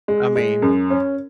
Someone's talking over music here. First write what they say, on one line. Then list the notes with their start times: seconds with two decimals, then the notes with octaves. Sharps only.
I mean
0.08 G#3
0.36 G#3
0.62 F#2
0.90 C#4